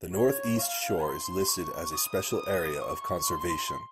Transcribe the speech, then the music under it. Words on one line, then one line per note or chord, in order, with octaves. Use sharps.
The North-East Shore is listed as a Special Area of Conservation.
C#5
F5
C6
C#6
D#6
D#6
C#6
C6